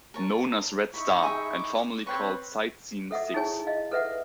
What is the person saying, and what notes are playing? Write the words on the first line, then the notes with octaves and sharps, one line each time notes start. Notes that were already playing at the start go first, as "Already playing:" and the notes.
Known as "Red Star", and formerly called the "Sight Seein' Sixth".
A#4 C#5 A5
D#4 E4 B5 C#6
G#4 E5 G5
D6
C4 B4 C#5 G5 C#6
A4 E5 F#5 D#6
D#4 E4 G#4 C#5 G#5
D#5 F5
A4 B4 E5 F#5